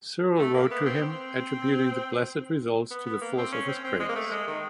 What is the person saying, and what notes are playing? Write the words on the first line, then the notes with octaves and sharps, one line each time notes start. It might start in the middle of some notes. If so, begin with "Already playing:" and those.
Cyril wrote to him, attributing the blessed result to the force of his prayers.
A3
A#3
B3
C4
C4
B3
B3
A#3
C4
C#4
C4
C4
G#3
A#3
A3
G#3
D#3